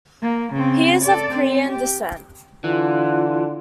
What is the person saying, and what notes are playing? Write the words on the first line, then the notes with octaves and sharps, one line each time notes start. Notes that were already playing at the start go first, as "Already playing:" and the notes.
He is of Korean descent.
A#3
C#3 C4
A4 D5
C4
G4
D3 E3 F4